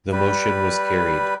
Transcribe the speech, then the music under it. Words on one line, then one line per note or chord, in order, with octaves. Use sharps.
The motion was carried.
G3 B4